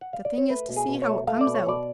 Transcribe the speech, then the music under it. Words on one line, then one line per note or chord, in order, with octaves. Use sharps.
The thing is to see how it comes out.
F#5
F5
D5
C#5
A3 B4
B2
G#4
B2
C#5
A3
A3 F5
D5
B2
C#5
B2 D5